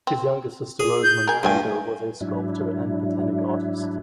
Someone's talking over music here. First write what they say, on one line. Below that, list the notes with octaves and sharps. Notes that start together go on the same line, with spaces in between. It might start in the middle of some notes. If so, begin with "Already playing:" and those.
His younger sister Rosamond Praeger was a sculptor and botanic artist.
C4
G#4
G6
B2 A#4 G#5
G2 F3 G3 A3 G#5
G#2 F#3 D4 E4